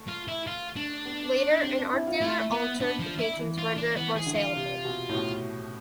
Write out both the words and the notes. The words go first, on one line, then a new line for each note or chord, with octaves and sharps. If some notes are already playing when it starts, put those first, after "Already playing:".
Later an art dealer altered the painting to render it more saleable.
Already playing: A3
F4
E4
F4
D4
B3
C4
D4
E4
F4
A3 E4
B3
B3 D4
F3
E4
E3
F4
D4
E3 B3
E3 G#4
D3
F4
C3
B2
A2
B2